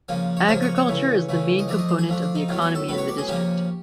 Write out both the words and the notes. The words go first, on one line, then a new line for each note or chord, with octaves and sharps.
Agriculture is the main component of the economy in the district.
C#3 F3 A#3 C#4
C#5
C#3 F3 A#3 C#4 C5
C#5
C#5
C#3 E3 A3
C#3 E3 A3
D#5
F3 A3 D4 D5
D#5
C5
G#4
F3 A3 D4
D4
D#4
A2 F#3 B3 F4
F#4
A4
A2 F#3 B3 B4
C#5
D5
G#4
C#3 F3 A#3 C#4 G4